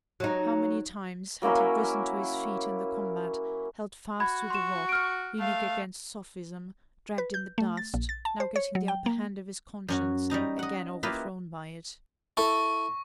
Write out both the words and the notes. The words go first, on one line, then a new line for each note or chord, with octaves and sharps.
How many times had he risen to his feet in the combat, held fast to the rock, leaning against sophism, dragged in the dust, now getting the upper hand of his conscience, again overthrown by it!
F#3 D#4
F#3 A#3 C#4 E4
F#4 B5 G#6
C6 C#6 E7
F6 D7
A3 F5
B4
G6
A3
A6
A#1
A6
A5
C5
C#5
F#3
G5
A#3
F#2 C#4 F#4
G3 C#4 D#4 A#5
D#5 F#5
A#3 E4 F4 G4 B4 D#5
E4 A4 C#6